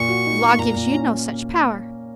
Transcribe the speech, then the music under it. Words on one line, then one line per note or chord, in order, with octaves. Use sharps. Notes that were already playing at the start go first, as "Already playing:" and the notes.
The law gives you no such power.
Already playing: A#2 C#6
F#4
D#4
A#3
A#2 A#5
A#2
C#4